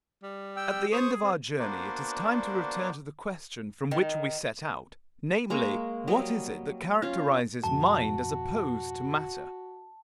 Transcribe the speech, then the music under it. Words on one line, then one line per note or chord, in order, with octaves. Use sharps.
At the end of our journey it is time to return to the question from which we set out, namely: What is it that characterizes mind as opposed to matter?
G3
G5 E6
G#4 C5 C#6 D#6
C4
A#3 B3 D4 F#4 C5 D5
D#3
G#3 A#3 A#5 C#6
F#3 G3 D#5
C#4 F4
G#1 F2 B2 F#4 A5